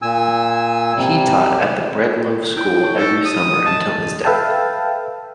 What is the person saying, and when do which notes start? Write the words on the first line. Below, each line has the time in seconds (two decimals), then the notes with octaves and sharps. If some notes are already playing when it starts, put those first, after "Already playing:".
He taught at the Breadloaf School every summer until his death.
0.02 A#2 G#5 E6
0.96 C3 G3
2.57 E4 G5
2.81 C#5 A5 C#6
2.96 D#4 A4 C#6 G7
3.25 D#6
3.66 D#5 A5
4.25 A4 B4 E5 F5 G5 A5